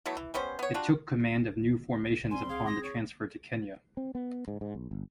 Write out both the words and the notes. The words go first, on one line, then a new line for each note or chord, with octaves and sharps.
It took command of new formations upon the transfer to Kenya.
E3 F#3 A3 B3
E3
G3 B3 C#4 C5
B3 C#5
G3 D4 F4 F#4
G3 C4 G#5 C6
G#4 F5
A#6
C#5
C4
B3
G#2
G#2
B1
G1